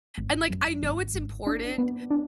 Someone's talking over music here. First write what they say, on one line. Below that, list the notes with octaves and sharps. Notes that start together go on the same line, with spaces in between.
and, like, I know it's important,
G#1
F#2
G#1
G#1
D4
B3
D4